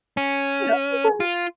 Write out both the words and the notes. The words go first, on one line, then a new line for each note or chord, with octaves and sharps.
you know, sometimes
C#4
F4